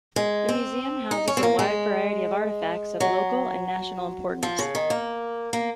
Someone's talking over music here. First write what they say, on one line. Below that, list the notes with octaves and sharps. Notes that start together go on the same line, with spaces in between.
The Museum houses a wide variety of artifacts of local and national importance.
G#3
C4
D#4
C#4
C4
A#3
G#3
F#3
F3
C#3
D#3
A#3
A#3